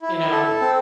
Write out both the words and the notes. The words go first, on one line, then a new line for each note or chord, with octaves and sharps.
You know?
E4
E4
A4
A4
C4